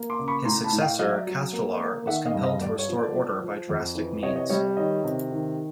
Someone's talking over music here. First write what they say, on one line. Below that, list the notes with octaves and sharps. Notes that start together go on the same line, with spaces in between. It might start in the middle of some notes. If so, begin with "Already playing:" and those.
His successor, Castelar, was compelled to restore order by drastic means.
Already playing: A#3
C6 D6
C#3
B5 C#6
A2 A#5 C6
A5 B5
A2
F5 G5
F#3 D#5 F5
D5 E5
F#3
A#3
A#3
D#3 E5 F#5
D#5 F5
G2
D#5 F5
G2 D5
C#5
F3
D5
F3
F3
F2
E3
C3 C#5 D#5
C#5 D#5
G3 C#5 D#5
D5
D#3 C#5 D#5
C3
D#3